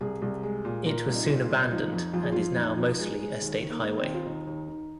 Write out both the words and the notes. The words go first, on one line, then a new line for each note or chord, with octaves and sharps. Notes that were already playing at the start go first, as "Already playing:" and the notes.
It was soon abandoned, and is now mostly a state highway.
C2 G#4
C2
G#3
A#2
A#2 A#4
C2
D#4
A#2
F4
C2
F3 D#4
F2
F2 F4
G#4
F2 F4
F2 D#4
F3
G#3
G#3
D#2
D#3
A#3
D#3
C4
D#2
F4
D#2 D#4
D#2
D#3